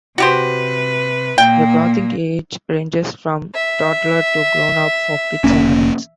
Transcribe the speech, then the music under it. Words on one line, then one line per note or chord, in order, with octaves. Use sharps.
The clothing age ranges from toddler to grownup, for kids and adults.
C3 F#4 G4 B4 C5
A#2 A#3 G5
E5
F1 A#3 C#4